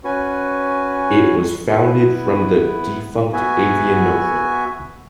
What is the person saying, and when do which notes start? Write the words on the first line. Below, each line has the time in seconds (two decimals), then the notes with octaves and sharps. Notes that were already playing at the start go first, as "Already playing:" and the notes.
It was founded from the defunct Avianova.
0.04 C#4 F#4 B4 G#5
1.68 B3 E4 B4
3.32 B3 F#4 E5 G#5